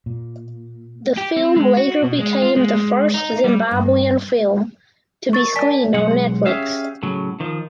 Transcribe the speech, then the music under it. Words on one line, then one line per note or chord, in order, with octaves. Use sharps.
The film later became the first Zimbabwean film to be screened on Netflix.
A#2
G4
C4
G#3
F#4
B2
G#3
F4
G#3
D#4
G3
G2
A#4 C#6 A6
D5 G#5 A5 B6
B1 G#3 F#5
C#4 G4 G#4 E5 F5
A2 C#3 F#3
D#3 F3